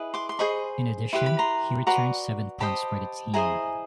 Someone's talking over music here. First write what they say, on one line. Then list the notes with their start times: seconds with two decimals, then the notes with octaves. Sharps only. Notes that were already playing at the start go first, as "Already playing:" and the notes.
In addition, he returned seven punts for the team.
Already playing: E4 G#4 B4 D#5
0.14 C6 D6
0.29 C6
0.39 G#4 C5 D#5 B5 C#6
1.13 E4 G4 B4 C6
1.26 B5
1.39 A#5 C6
1.87 F#4 B4 D5 A#5 C6
2.60 G4 C5 D#5 A5 B5
3.34 E4 G#4 C5 D#5 G#5 A#5